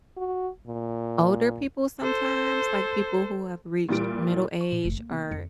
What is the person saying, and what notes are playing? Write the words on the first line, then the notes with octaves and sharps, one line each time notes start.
older people sometimes, like people who have reached middle age or,
F#4
A#2
A4 C5
A#2 E3 G3 D7
C#6
A#2
F1
A#3
C3 B3
F2 D#3 C#7